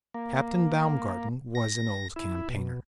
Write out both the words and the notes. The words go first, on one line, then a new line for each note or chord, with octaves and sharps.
Captain Baumgarten was an old campaigner.
A#3
A#6
E4
B2